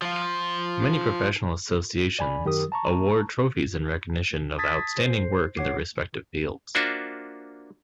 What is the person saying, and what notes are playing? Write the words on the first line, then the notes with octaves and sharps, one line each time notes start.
Many professional associations award trophies in recognition of outstanding work in their respective fields.
F3 F4
D5 G#5 B5
F#2 D#3 G4 A#4 D#6
A5 A#5 C#6
A5 D#6 G#6 A6 B6
C5 C7
C#5 F#5 D6 C7
A#3 D4 F4 F#4 C5 E5